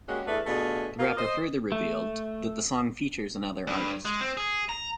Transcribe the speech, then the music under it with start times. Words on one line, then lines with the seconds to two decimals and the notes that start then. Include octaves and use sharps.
The rapper further revealed that the song features another artist.
0.08 G3 G#3 A#3 C#4 F#4
0.26 E2 A3 B3 D4 B4 E5
0.46 B2 A3 D4 F4 G#4
0.99 A#3 F4
1.17 C5 D#5
1.72 A3
3.67 G2
4.05 G#3
4.21 C4
4.37 G#4
4.69 A#5